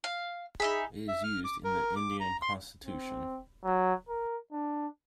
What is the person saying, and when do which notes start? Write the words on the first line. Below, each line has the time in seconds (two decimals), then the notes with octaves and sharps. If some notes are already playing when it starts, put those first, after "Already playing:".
It is used in the Indian Constitution.
0.04 F5
0.60 D#4 G#4 E5 B5
1.08 E5
1.23 F6
1.44 D6
1.64 A#4
1.96 D6
2.20 A#5
2.42 C6
2.86 C4
3.64 F#3
4.08 A#4
4.52 D4